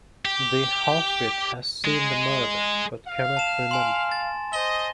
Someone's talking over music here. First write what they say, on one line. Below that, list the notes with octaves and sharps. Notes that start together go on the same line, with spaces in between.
The "half-wit" has seen the murder, but cannot remember.
G4
G#3
F5
A5 E7
G#5 C6
A6
C5 D#5 G7